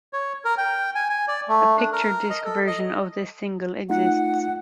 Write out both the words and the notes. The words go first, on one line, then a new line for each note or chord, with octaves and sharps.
A picture disc version of this single exists.
C#5
A#4
G5
G#5
G#5
D5
A3
D4
A#4
D#5
A4
D#5
A3 D#4 F4 F#5